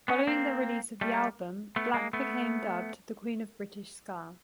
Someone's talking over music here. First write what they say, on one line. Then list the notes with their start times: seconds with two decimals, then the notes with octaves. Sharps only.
Following the release of the album, Black became dubbed the Queen of British Ska.
0.08 B3 C#4
0.27 A#3 C4
1.01 G3 A3
1.76 A3 B3
1.94 G#3 A#3
2.13 A3 B3